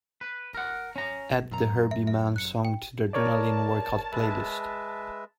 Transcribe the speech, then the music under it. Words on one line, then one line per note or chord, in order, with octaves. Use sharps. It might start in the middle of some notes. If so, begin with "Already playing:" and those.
Add the Herbie Mann song to the Adrenaline Workout playlist.
B4
A#4 F#5
C#4 A#5
F#2 A#5
E5
E5
F#6 C#7
G5
A#4 C#5 D5 A5
G#3 B4 E5